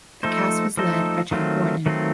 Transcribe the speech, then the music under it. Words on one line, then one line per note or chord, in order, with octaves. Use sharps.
The cast was led by Jack Warden.
F3 A3 D#4 A4 C5
F3 A3 D#4 A4 C5
D#3 F#3 A3 C4 F4
D#3 F#3 A3 C4 F4